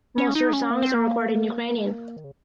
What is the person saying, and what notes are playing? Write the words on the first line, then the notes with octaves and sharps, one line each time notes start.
Most of her songs are recorded in Ukrainian.
C#4
D#4
C#4
A#3
C4
A#3
D#3
C#3